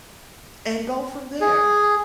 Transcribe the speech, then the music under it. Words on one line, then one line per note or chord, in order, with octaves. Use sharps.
And go from there.
G#4